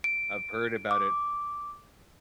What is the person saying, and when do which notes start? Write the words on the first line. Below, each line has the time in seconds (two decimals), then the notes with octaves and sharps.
I've heard about it.
0.04 D7
0.91 D6